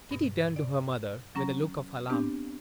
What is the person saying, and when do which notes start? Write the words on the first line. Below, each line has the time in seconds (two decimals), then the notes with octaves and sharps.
Kitty turned to her mother with a look of alarm.
0.11 G2 B2
0.56 D5
1.35 F#3 C#4 A#5 A#6
2.10 B3 C4 D4 G4